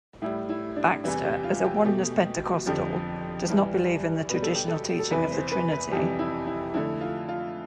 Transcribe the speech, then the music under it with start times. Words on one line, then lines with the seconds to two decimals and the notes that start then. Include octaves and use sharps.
Baxter, as a Oneness Pentecostal, does not believe in the traditional teaching of theTrinity.
0.22 A2 G3 E4
0.49 E4
0.76 D4
1.04 E2 C3 E3 G3 E4
1.25 G4
1.44 F4
1.64 G4
1.85 B2 A3 G4
2.66 F2 D3 F3 G4
3.48 G2 E3 G3
4.29 B2 G3 B4
4.43 A4
4.55 G4
4.68 A4
4.99 A4
5.10 E2 C3 E3 B4
5.31 C5
5.52 B4
5.72 B4
5.92 F2 C3 E3 G3 G4
6.19 E4
6.47 E4
6.74 F2 D3 A3 E4
7.01 F4
7.29 F4